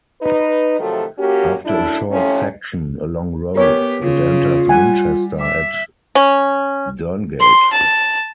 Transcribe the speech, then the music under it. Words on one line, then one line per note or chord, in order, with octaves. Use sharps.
After a short section along roads it enters Winchester at Durngate.
D#4 B4
C3 D#3 F3 F#3 A3
A#3 C#4 F#4 G4
F#2 A3 D4 E4
A2 C3 F3 A3 C#4
B3 G4 A#4 C#5
C#3 F4
G3 F#5 G#5
E5 D6
C#4
C6
A5